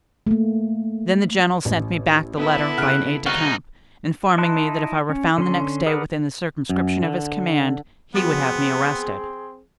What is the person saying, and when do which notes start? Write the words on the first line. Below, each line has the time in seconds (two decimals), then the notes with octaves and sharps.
"Then the general sent me back the letter by an aide-de-camp, informing me that if I were found the next day within the circumscription of his command, he would have me arrested."
0.27 A3 A#3
1.65 A1
2.36 B3 E4 A4
2.78 C#3 F#4 F6 F#6 D7
3.26 C2 B3 D#4 F#4 F5
4.38 D#4 E4 A5 C6 F#6
5.10 C#4
5.38 D3 C#4 C6
5.87 G#4 A#4 B4 D5 F#5
6.69 F#2
7.03 D3
8.15 F3 B3 C4 F#4 G#4